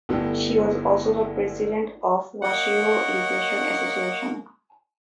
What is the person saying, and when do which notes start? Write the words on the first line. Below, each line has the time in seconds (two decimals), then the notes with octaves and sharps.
She was also the president of the Washoe Education Association.
0.09 G1 A2 A3 G4
2.43 A#3 C#5 D#5 F#5